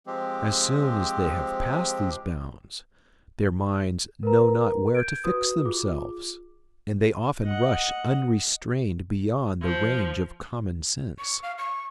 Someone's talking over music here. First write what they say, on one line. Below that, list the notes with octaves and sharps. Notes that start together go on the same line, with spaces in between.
As soon as they have passed these bounds, their minds know not where to fix themselves, and they often rush unrestrained beyond the range of common-sense.
F3 G#3 C4 G4
A#4 B4 A#5
G6 G#6 D7
F#4 B4 D#6
F4 G#4 D6
D#5 F#5
F3
C#6
F5
C#6